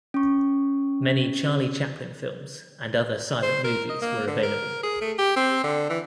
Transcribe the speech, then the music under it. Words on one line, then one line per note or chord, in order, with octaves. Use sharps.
Many Charlie Chaplin films, and other silent movies were available.
C#4 C#6
C5
A#4
D#5
A#3
D3
A#4
G#4
A3
G4
C4
D3
E3